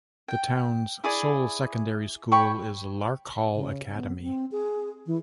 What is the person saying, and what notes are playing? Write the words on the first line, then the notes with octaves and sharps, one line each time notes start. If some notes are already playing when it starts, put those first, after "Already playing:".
The town's sole secondary school is Larkhall Academy.
G5
E4 G#4 D5 G#5
C#5 G5 B5 C#6
C#3
B3
C4
G#4
E3